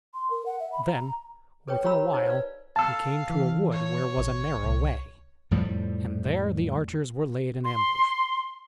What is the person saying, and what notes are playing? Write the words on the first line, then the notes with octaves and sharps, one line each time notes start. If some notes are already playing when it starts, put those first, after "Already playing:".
Then within a while he came to a wood where was a narrow way; and there the archers were laid in ambush.
C6
A#4
F#5
E5
B5
A#5
A#5
A4 B4 C#5 G5
G4 C#5 F5 A#5 B5 E6
D#4 A#4 C5 C#5
B4 D5 F5
F5 A5 E6
E3
C#5
A1
C2
F2 A2 F3 G3
C6